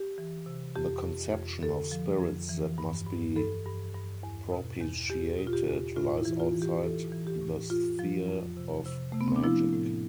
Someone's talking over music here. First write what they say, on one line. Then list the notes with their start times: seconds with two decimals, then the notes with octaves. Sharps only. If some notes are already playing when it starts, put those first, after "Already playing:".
The conception of spirits that must be propitiated lies outside the sphere of magic.
Already playing: G4
0.18 E3
0.46 C3
0.76 F2 G4
1.04 F2
1.34 F2
1.62 D3 A4
1.91 F3
2.20 F2
2.49 E3
2.78 G2
3.07 G2
3.36 G2 A4
3.65 G2
3.94 G2
4.23 E2
4.52 B2
4.81 E2
5.10 E2 G4
5.39 B2
5.47 F4
5.53 G4
5.68 E2
5.96 A2 F4
6.18 E4
6.25 E3
6.40 F4
6.55 E3
6.62 G4
6.83 E3 A4
7.12 E3
7.27 G4
7.41 A2
7.70 F2 F4
7.99 F3
8.29 F2
8.57 C3
8.86 C3
9.12 C3 A3
9.21 B3
9.28 C4
9.36 D4
9.44 F3 E4
9.73 A2